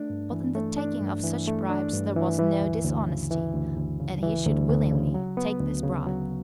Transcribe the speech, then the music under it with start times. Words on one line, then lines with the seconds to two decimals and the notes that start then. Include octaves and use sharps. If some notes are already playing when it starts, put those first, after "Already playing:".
But in the taking of such bribes there was no dishonesty, and he should willingly take this bribe.
Already playing: A3 D4
0.10 G2
0.32 E3
0.55 A3
0.78 D4
1.01 G2
1.24 E3
1.47 A3
1.70 D4
1.93 G2
2.16 E3
2.39 E3
2.61 D2
2.84 D2
3.08 C#3
3.31 E3
3.54 D2
3.77 D2
3.99 C#3
4.23 E3
4.46 D2
4.68 D2
4.91 C#3
5.14 F#3
5.37 B3
5.61 D2
5.83 C#3
6.07 F#3